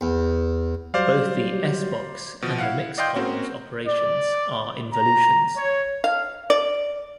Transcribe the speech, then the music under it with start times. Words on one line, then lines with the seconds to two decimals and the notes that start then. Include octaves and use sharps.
Both the S-box and the mix columns operations are involutions.
0.01 E2
0.94 F#3 G3 C5 D5 F5
2.42 B2 F3
2.58 E4 F5 F#5
2.98 D5 D#5 F5 G5 C6 G6
3.16 A#3 C4 C#4 F#4
3.86 D5
4.92 A#5
5.55 C#5
6.04 F5
6.50 D5